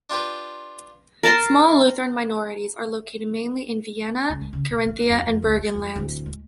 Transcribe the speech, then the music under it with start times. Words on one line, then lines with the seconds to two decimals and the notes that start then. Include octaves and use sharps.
Small Lutheran minorities are located mainly in Vienna, Carinthia, and Burgenland.
0.10 D4 F4 G4 B4
1.23 A#4 A5 A#5 C6
4.30 C#2
4.41 G#3
4.53 C#3
4.70 B2
4.86 A1
5.10 F#2
5.27 F2
5.42 D2
5.57 F#3
5.74 F2
5.96 D1
6.26 G#3